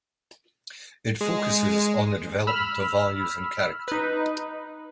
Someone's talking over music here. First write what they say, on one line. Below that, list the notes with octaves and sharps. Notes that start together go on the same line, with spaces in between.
It focuses on the development of values and character.
G#3
B5 E6 F6
D#4 B4